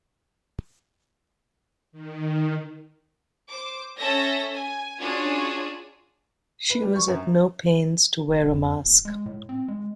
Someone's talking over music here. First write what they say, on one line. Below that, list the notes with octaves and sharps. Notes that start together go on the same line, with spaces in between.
She was at no pains to wear a mask.
D#3
C5 D6
C#4 A4 E5 A5 A#6
G#5
C#4 D4 F4 F#4 G#4
B4
G3
C#6
F#2
G1
E1
F2
D1
G#3
A2
C4
G#3